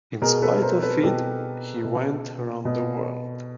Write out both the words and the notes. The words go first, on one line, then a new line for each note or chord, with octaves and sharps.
In spite of it he went round the world.
B2 G#4 A#4
A4 B4
A#4 C5
A4 B4
B2 G4 A4
B2
B2